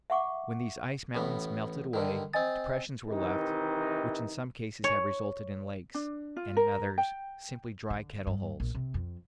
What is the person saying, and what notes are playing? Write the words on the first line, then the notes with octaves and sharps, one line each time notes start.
When these ice mountains melted away depressions were left which in some cases have resulted in lakes, and in others simply dry kettle holes.
E5 F#5 C#6 D6
A1 A2 B3
G2 D3 D#3
C4 D#5 G#5 D#6 A6
C3 D#3 E3 D#4
C#5
D4
F4
A#4
G5
D3
G2
A#1
C3
F2